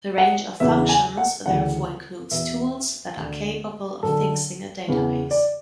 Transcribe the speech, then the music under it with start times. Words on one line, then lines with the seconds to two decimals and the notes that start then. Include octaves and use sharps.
The range of functions therefore includes tools that are capable of fixing a database.
0.18 F#5
0.60 E2 C#3 E3 E5
0.89 G#5
1.17 F#5
1.46 D2 C#3 E3 F#5
2.31 E2 B2 E5
3.17 D2 D3
4.03 F#2 D3 A4
4.88 E2 C#3 E3
5.31 D5